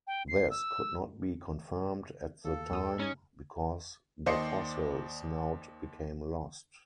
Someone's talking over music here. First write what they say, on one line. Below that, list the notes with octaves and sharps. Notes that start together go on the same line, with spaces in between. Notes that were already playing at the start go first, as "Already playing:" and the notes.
This could not be confirmed at the time because the fossil snout became lost.
G5
C7
E6
D#2 A4 F5
E2 F#4 D#6 E6
G5
C#4 D#4 A#5 D#6 G#6
D#2 C5 D5 D#5 C7 C#7